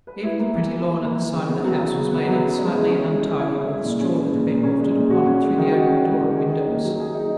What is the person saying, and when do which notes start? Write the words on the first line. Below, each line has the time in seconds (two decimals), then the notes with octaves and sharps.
Even the pretty lawn at the side of the house was made unsightly and untidy by the straw that had been wafted upon it through the open door and windows.
0.07 B4
0.23 E4
0.39 A#3
0.55 E3
0.70 B4
0.86 E4
1.01 A#3
1.17 E3
1.33 C#3
1.49 B3
1.64 F#3
1.80 C#3
1.96 C#3
2.12 B3
2.27 F#3
2.43 C#3
2.59 G#3
2.75 E4
2.90 C#4
3.06 G#3
3.21 G#3
3.37 E4
3.53 C#4
3.70 G#3
3.85 A#2
4.00 C#4
4.16 G#3
4.31 A#2
4.47 A#2
4.63 C#4
4.80 G#3
4.95 A#2
5.10 F#4
5.26 C#4
5.42 G#3
5.58 D#3
5.73 F#4
5.89 C#4
6.04 G#3
6.21 D#3
6.37 G#4
6.52 D#4
6.68 A#3
6.83 F#3
7.00 G#4
7.15 D#4